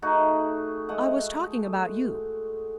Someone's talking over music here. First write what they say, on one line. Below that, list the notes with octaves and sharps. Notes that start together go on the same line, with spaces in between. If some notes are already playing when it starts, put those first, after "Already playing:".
I was talking about you.
A3 D#4 F#4 G#4
G#3 A3 F#5